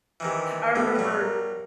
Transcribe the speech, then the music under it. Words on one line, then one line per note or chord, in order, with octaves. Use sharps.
I remember
C3 D#3 E3
B2 A3 B3 G4 A4
G2 F#3
A#4